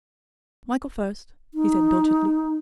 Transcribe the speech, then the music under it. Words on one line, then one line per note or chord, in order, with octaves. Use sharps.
"Michael first," he said doggedly.
D#4